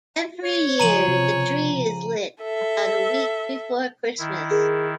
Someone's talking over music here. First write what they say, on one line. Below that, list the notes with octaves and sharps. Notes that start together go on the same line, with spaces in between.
Every year, the tree is lit about a week before Christmas.
C#5
C#3 F3 A#5 D#7 F#7
C3
A4 E5
D#3 E4
G#4 A#4